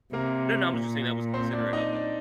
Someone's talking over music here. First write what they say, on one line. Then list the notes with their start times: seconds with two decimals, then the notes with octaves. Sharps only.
No, no, I'm just saying that was considerate of them.
0.13 C3 A#3 A#4
0.73 A#2
1.34 C4 C5
1.53 D4 D5
1.73 D#4 D#5
1.93 D4 D5